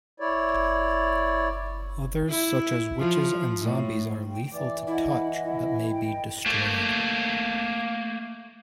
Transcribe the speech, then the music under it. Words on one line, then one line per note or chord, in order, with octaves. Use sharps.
Others such as witches and zombies are lethal to touch but may be destroyed.
E4 C#5 D5
E4
F3
A2
G5
E3 D5 D6
E4 D#5 F#5
E4
D#5 G5
A3 A#3